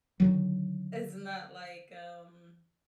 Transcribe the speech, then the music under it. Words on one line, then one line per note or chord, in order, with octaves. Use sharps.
it's not like, um,
D3 D#3 F#3